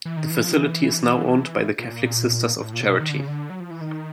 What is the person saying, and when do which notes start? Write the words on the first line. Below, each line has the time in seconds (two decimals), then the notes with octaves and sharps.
The facility is now owned by the Catholic Sisters of Charity.
0.05 E3
0.17 D#3
0.30 E3
0.44 F3
0.51 D#3
0.57 E3
1.79 A#2
2.60 A2
2.73 A#2
2.80 C3
2.87 B2
3.00 D#3
3.10 D3
3.19 C#3
3.28 D3
3.50 F#3
3.60 F3
3.71 E3
3.81 D#3